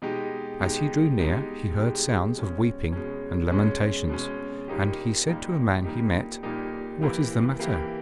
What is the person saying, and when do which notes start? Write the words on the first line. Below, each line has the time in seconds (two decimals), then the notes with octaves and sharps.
As he drew near he heard sounds of weeping and lamentations, and he said to a man he met: 'What is the matter?'
0.02 B2 G#3 D#4 G4
0.60 B2 G#3 D#4 G4
1.18 B2 G#3 D#4 G4
1.76 B2 G#3 D#4 G4
2.35 B2 G#3 C#4
2.92 B2 G#3 C#4
3.51 B2 G#3 C#4
4.09 B2 G#3 C#4
4.68 A#2 G3 A#3 D#4 G4
5.26 A#2 G3 A#3 D#4 G4
5.84 A#2 G3 A#3 D#4 G4
6.43 A#2 G3 A#3 D#4 G4
7.02 E3 A#3 E4 G4
7.59 E3 A#3 E4 G4